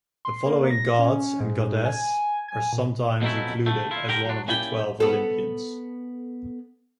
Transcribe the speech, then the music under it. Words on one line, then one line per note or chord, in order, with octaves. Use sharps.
The following gods and goddess are sometimes included as one of the twelve Olympians.
C6
A#3
A#6
C#4
G#2
G#5
G#5
A#2
F2 B2 F#3 A3 C#4 E4
D3 A3
E4 F4
D3 G4 A#4
F#3 D4
A#3 C#4 E4 G4 D5 G5
B3 A4